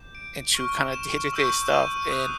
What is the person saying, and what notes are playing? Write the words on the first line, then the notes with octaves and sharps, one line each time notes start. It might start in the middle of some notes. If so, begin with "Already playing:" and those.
into kind of day-to day stuff, and
Already playing: D6 G6
D7
C#6 F6
E7
C#6 E6 G6
D#7
D#6 F#6